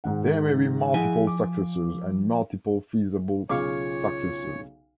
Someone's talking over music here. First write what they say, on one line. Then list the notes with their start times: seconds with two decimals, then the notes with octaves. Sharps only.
There may be multiple successors and multiple feasible successors.
0.04 G#2 D#3 F#5
0.94 F3 E4 G#4 F#5 G#5
1.27 D6
3.49 B1 C#3 F4 C#5 F5 C#6 D6